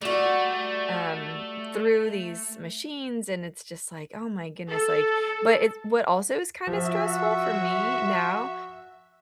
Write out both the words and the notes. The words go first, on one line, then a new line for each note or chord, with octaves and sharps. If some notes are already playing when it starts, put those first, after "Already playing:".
um, through these machines, and it's just like, "Oh my goodness," like but it what also is kinda stressful for me now
G3 A3 F#4
A4
F3 F#4 E5